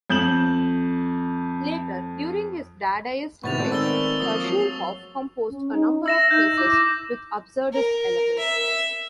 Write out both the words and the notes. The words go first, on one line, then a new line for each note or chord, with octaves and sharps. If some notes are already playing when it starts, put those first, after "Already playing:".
Later, during his Dadaist phase, Schulhoff composed a number of pieces with absurdist elements.
F2 G6 E7 F#7
A2 C3 D#3 B3 C#6 A6 F7
G#3 A3 C4 B4 D5 B5
D#3 E6 A6 G7
F3 A#3 C#6 D#6
F#3 C7
C#4
D#4
E5 E6 A#6 E7
D#4 G6
E4 D6
A#4
E5